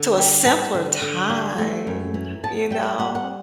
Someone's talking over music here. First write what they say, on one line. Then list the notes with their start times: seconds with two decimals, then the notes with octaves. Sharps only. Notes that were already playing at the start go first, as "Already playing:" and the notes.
to a simpler time, you know.
Already playing: D3
0.17 G3 G5
0.46 G3 A5
0.75 D3
1.02 D3
1.30 G3
1.58 A3
1.87 F#2
2.14 E3
2.44 B3 A5
2.71 G3 G5
2.99 G3 F#5
3.15 F#5